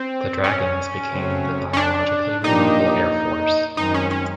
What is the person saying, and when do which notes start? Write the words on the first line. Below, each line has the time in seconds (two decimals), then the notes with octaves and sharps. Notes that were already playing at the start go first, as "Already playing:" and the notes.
The dragons became the biologically renewable air force.
Already playing: C4
0.44 C#4
1.10 C#3 F#3 A3 C4
1.73 C#4
1.77 D4
2.43 A#2 F3 A#3 D4 D#4 G4
3.77 F#2 D#3 G#3 C4 D#4
3.94 C#4
4.11 C#4